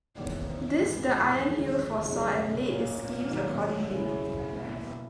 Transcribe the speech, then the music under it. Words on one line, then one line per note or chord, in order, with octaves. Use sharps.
This the Iron Heel foresaw and laid its schemes accordingly.
E2 D#3 A#3 C#4
G#2 E3 B3 D#4
E2 D#3 G#3 C#4
F#2 C#3 G#3 B3 D#4
A#2 A#3 C#4
D#3 F#3 A#3 D#4
C#3 F#3 C#4 E4
B2 A#3 E4